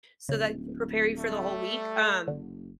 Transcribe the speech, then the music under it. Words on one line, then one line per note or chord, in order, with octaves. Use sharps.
So, that could prepare you for the whole week, um
D1 C#3
G3 A3
F#1 D3